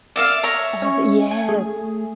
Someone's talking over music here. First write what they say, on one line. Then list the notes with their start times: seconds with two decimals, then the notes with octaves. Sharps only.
Oh yes.
0.16 D5 E5 F5
0.43 C#5 E5 A#5
0.82 C#4 C#6
1.31 G#5
1.49 A3 G#4